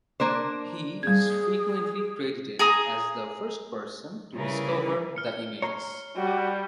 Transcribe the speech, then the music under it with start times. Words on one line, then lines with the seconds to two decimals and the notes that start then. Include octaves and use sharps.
He is frequently credited as the first person to discover the images.
0.20 A#3 D4 C5
1.03 G3 G#4 G#6
2.59 G#4 G#5 A#5 D#6
4.34 C#3 G3 C#4 E4 A#4 B4
5.16 F6 C#7
5.62 C#5 A#5 C6
6.16 G3 F#4